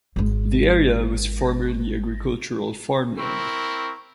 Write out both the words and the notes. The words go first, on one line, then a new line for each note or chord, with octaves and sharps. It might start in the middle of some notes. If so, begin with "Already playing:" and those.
The area was formerly agricultural farmland.
G#1 G#3
C4 E4 A#4 C#6